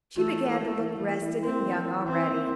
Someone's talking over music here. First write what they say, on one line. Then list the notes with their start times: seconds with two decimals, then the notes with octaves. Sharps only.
She began to look rested and young already.
0.16 E3 A3
0.38 E4
0.58 A#3
0.79 E3
1.00 E3
1.22 E4
1.43 A#3 C4
1.63 E3
1.85 E3
2.06 C4 E4
2.27 A#3